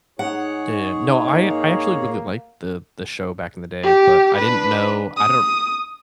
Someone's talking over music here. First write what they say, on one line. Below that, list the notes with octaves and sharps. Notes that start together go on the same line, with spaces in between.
Yeah, yeah. No, I I actually really liked the the show back in the day, but I didn't know I don't
G#2 D#4 G#4 C#5 F#5
A#3
G4
D4 B4
D#6